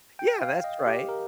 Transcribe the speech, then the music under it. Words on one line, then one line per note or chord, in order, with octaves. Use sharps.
Yeah, that's right.
G5
F5
D#5
G4
A#4